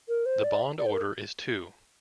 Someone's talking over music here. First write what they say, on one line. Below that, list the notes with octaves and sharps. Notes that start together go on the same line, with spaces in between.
The bond order is two.
A#4
C5
D5
D5
C5
A#4